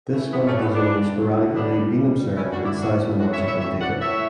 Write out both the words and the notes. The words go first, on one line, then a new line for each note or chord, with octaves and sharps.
This one has only sporadically been observed in seismological data.
E3 A3
G2 B3
A3 C#4
G2
B3
G2 B3 D4
G2
D2
D3
G3 B3 D4
G3
D2
G3
D2 C#4 E4
D4 F#4
D3
E4 G4
G3 D4 F#4
A2
A2 D4 F#4
C#5 E5
G3
C#5 E5
A2 C#5 E5
A2 D5 F#5
A2 C#5 E5